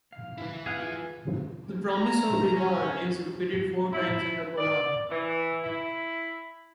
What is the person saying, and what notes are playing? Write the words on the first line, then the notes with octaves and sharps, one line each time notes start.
The promise of reward is repeated four times in the Coran.
F5
E4 B4
G#4 F5 F#5
F4 G#4 G#5
A#5
C#4
E4
D5
E3
E4